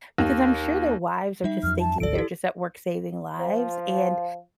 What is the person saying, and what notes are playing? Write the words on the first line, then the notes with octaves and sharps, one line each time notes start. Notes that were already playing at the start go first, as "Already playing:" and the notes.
because I'm sure their wives are just thinking they're just at work saving lives, and,
D#2
G3 D#4 E5
F2 F#3 F6
A5
G#1 D2 A4 D5 D7
E4 G4
F3